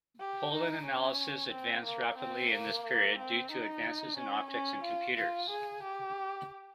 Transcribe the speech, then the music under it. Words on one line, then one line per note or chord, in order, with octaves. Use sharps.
Pollen analysis advanced rapidly in this period due to advances in optics and computers.
G4
D#4
C#4
C4
A#3
C4
A#3
C4
D#4
C#4
C#4
F4
F4
G#4
G4